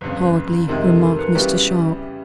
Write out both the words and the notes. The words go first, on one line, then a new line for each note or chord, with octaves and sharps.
"Hardly," remarked Mr. Sharp.
G1 F2 C#3 B4
F2 C3 D#3 G#3 A#4
A4
A#4
B4
C#3 E3 G3 B3 F#4